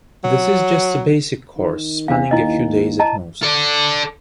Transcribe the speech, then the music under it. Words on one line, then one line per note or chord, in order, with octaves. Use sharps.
This is just a basic course spanning a few days at most.
F#3
D#3
E2 D4 F5
D#2 E4 D#5
D#5 A5 A#5
A4 D5